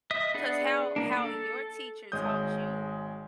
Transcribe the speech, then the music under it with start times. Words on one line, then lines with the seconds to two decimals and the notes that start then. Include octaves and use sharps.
'cause how how your teacher taught you
0.11 D#5 E5 D#6
0.34 B3 D4 G#4 D5 F#5
0.96 A#3 D4
1.17 A4
2.12 G#1 G#3 C#5 D#6 G6